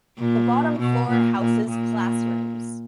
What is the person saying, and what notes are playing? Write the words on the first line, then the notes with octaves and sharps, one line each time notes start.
The bottom floor houses classrooms.
A#2
B2
A#2
A#2
A#2